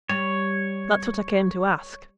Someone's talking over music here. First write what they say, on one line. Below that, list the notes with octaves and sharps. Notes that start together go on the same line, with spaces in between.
That's what I came to ask.'
G3 C#5